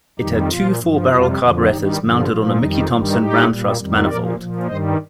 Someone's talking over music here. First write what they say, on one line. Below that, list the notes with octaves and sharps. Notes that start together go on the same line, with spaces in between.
It had two four-barrel carburetors mounted on a Mickey Thompson Ram-Thrust manifold.
F2 D#3 G3 D#4 G4
A#2 F3 F4
G2 F3
F2 C3 G3 F4
F2 D3 F3
G2 D#3 G3 D#4 G4
G2 D3 F3
A#2 F3 F4
F2 D#3 G3 D#4
G2 D#3 G3 F4
A2 G3 D#4 G4
A#2 G3
F2 D#3 G3
A#2 F3 A#4 D5
A#2 F3
G2 D#3 G3 C5 D#5